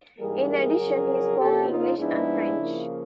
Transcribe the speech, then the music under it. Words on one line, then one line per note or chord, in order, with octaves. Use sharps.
In addition, he spoke English and French.
G#2 E3 G3 A#3 G#4 A#4
G#4 A#4
F2 C#3 F#3
F2 C#3 F3 A#3 G4 A4
D#4 F4
G#2 F3 G#3 B3 D4 E4
C#3 F3 A#3